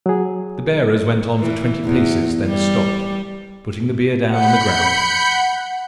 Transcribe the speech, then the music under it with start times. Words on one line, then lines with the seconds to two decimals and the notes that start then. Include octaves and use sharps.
The bearers went on for twenty paces, then stopped, putting the bier down on the ground.
0.06 F#3 G#4
1.39 E3
1.85 E2
2.47 G3
4.30 F#5 B5 G6 C#7